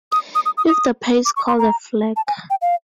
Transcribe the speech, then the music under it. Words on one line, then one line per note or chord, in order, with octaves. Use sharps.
If the pair is called a "flag".
D#6
D#6
D#6
D#6
D#6
D6
C#6
C6
A#5
A5
G#5
G5
F5